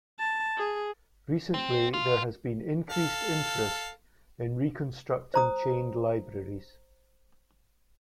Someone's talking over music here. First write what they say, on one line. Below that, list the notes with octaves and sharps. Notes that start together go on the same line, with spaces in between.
Recently, there has been increased interest in reconstructing chained libraries.
A5
G#4
C4
F4
A4 F5
C5 A#5 D#6